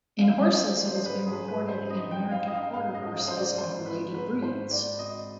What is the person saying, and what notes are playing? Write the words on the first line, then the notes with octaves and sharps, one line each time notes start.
In horses: it has been reported in American Quarter Horses and related breeds.
D#4 F5
D#5
F3 C5
D5
C4 D5
C5
C5
G#2 B4
G#4
G#2
B4
G#2
C5
D#4 D#5
G5
C4
F5
D#4 D#5
F5
G#2 F5
D#5
G#2
D#5
G#2 C5
D5
G#1 C5
G#1 B4
G#2 B4
G#2 C5
G#2 D5
G#1 D#5